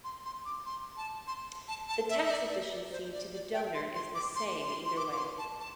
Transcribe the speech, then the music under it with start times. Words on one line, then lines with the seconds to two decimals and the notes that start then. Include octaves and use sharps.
The tax efficiency to the donor is the same either way.
0.04 C6
0.25 C6
0.45 D6
0.66 C6
0.97 A5
1.27 C6
1.68 A5
1.89 A5
2.10 E5
2.23 E5
2.30 D5
2.51 D5
2.71 D5
2.91 C5
3.13 D5
3.32 D5
3.54 G5
3.75 C6
3.95 C6
4.15 D6
4.35 C6
4.66 C6
4.86 C6
4.97 D6
5.12 D6
5.18 C6
5.38 A5
5.59 A5